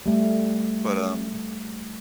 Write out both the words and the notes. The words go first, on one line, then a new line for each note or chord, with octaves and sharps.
but, um.
G3 A3